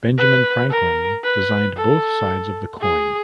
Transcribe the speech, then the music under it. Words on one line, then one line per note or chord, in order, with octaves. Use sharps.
Benjamin Franklin designed both sides of the coin.
B4
A#4
B4
A4
G#4